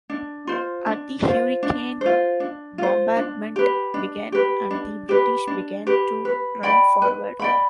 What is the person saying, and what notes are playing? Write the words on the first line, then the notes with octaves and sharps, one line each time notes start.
At the hurricane bombardment began and the British began to run forward.
D4
F4 C5
D4
F4 C5
D4
F4 C5
D4
F4 C5
D4
G4 B4
D4
G4 B4
D4
G4 B4
D4
G4 B4
B4
D5 G5 B5
B4
D5 G5 B5